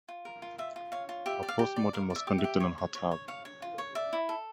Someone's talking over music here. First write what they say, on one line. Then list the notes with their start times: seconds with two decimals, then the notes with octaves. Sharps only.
A post-mortem was conducted on Hatab.
0.08 F4
0.25 A#4
0.42 F4
0.58 F4 E5
0.76 F4
0.92 C#5 F5
1.09 F4
1.26 G4 E5
1.43 D5
1.48 F5
1.59 G4
1.76 D5
1.93 A#4 F5
2.10 D5
2.16 E5
2.27 G4
2.38 E5
2.44 G4
2.60 C#5
2.78 C#5
2.95 C#5
3.11 C#5
3.28 C#5 F5
3.45 C#5
3.62 F4
3.78 C#5
3.95 D5 E5
4.13 E4
4.29 A4